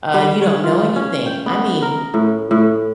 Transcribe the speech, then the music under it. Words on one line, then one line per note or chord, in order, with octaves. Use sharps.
uh, you don't know anything. I mean,
G3
C#5
F4
C#4
G5
B3
A#4
A2
A2